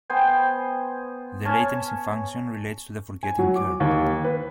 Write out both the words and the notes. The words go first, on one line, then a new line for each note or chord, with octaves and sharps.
The latency function relates to the forgetting curve.
B3 C5 G5 G#5
C#4 G#5 A5
G#5
F#3
D6
D#2
B4